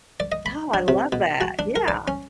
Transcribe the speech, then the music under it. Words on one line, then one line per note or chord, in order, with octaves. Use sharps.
Oh, I love that, yeah.
D5
D#5
B5
D4
C3
B2
F#4
D4
A#4
D5
C#4